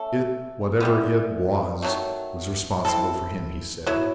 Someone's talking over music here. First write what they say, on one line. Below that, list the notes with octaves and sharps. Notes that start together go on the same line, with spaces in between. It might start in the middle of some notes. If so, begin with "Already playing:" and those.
It--whatever it was--was responsible for him, he said.
Already playing: A3 C#4 A4
E3 G3 B3
D#3 F#3 A3
C4 E4 A4
F#3 B3 E4